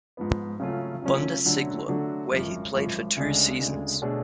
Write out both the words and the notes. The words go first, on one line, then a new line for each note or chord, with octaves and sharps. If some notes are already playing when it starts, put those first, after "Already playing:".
Bundesliga, where he played for two seasons.
G#2 F3 B3
C#3 F#3 A3 C#4 F4
C#3 F#3 A3 C#4 F4
D3 F#3 A3 D4 F#4
D3 F#3 A3 D4 F#4
G#1 F#2 F3
G#1 F#2 F3
D2 C#3 G#3 D4
D2 C#3 G#3 D4
B2 A3 D4 G#4 C#5